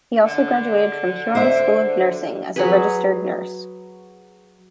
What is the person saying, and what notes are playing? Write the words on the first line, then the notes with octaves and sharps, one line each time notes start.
He also graduated from Huron School of Nursing as a registered nurse.
D3
C5 E5
F#3 G#4 B4